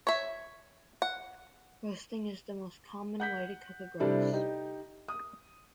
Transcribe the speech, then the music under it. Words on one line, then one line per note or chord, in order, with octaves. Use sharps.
Roasting is the most common way to cook a grouse.
C#5 E5
F#5
F#5 G6 B6
C3 G3 D4 E4 A4
D#4 G4
D#6